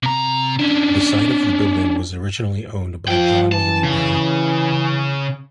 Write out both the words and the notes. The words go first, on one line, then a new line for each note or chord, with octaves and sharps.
The site of the building was originally owned by John Neely Bryan.
C3 A#5
C#4 D4
F3 F5 G5
E3 A5
C#3